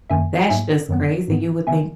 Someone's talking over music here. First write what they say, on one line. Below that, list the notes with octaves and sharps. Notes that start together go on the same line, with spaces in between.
that's just crazy, you would think
F#2 D#3 A#3 E5 G#5
A#5
G#2 F#3 A#3 E5 G#5
F#2 D#3 F#3 B3
G#2 E3 B3
C#3 E3 B3 E5 G#5